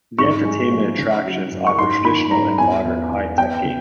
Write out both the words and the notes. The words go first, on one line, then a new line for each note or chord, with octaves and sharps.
The entertainment attractions offer traditional and modern, high-tech games.
G#2 C#6
G#3
F3
C#3
F#3
F#2
C#6
G#2 C6
D#3 B5
G#2 A#5
E2 G#5
E2
E2
E2 G5
C#3